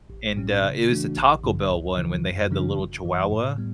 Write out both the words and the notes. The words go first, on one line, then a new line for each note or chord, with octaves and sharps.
and uh, it was the Taco Bell one when they had the little chihuahua.
A1
A2 G3 C#4
C#3
E3 A3 D4 F#4
A1
G2 D3
D2
C#3 E3
F#2
C#3 E3 G3 D4
G1
F#2 E3
A2
G3 B3